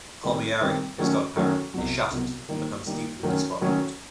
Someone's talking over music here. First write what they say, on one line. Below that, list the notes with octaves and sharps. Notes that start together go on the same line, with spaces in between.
Albieri, his godparent, is shattered and becomes deeply despondent.
D#3 G3 C4
D#3 G3 C4
D#3 F#3 A3 C#4
D#3 F#3 A3 C#4
C2 B2 F#3
C2 B2 F#3
D#3 G3 A#3 D#4
D#3 G3 A#3 D#4
D#3 F#3 A3 C#4
D#3 F#3 A3 C#4